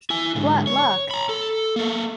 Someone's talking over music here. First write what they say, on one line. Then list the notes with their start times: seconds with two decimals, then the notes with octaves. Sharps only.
What luck!
0.10 E4 G#5
0.36 G#2 D3
0.67 C#5
1.11 A#5 B5
1.29 A4
1.76 A#3 A4